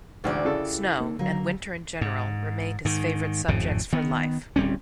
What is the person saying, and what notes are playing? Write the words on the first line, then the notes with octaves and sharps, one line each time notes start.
Snow, and winter in general, remained his favorite subjects for life.
A1 D2 G#2 E3 G4 D5
C#3 E4 A4
A#3 D#4
D3 F#3 A#3
G#2
G#2 D#3
G#1 F2 A2 C#3
D#3 B3
D1 G3 C4 C#4